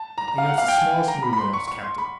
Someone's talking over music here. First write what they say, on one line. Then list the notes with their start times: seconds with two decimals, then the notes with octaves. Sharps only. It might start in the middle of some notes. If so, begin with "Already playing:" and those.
He notes the smallest movement of his captive.
Already playing: A5
0.18 A#5
0.28 A#5
0.38 F5
0.48 F#5
0.58 F5
0.68 G5
0.78 G#5
1.08 A#5
1.22 B5
1.33 B5
1.38 C6
1.53 C#6
1.68 C#6
1.83 C6
1.98 B5